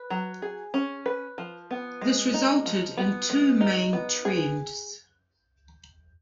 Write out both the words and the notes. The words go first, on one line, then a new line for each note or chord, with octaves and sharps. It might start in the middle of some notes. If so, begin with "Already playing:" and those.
This resulted in two main trends.
Already playing: B4
F#3
G#4
C#4
B4
F3
B3
G#3
D#4
F3
B3
G#3
D#4
B3
G#4